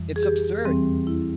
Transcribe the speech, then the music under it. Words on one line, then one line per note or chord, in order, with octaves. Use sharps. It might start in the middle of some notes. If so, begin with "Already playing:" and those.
It's absurd!
Already playing: F2 E3 G3
G#4
G4
E2 E3 G3 C4
E4